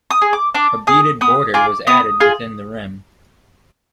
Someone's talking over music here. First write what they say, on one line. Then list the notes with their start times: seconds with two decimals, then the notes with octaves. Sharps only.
A beaded border was added within the rim.
0.11 D#6
0.22 G#4
0.33 D6
0.54 D4 D6
0.87 G#4 D#6
1.21 B3 D#6
1.54 F4 G#4 D6
1.87 B3 D#6
2.20 F4 G#4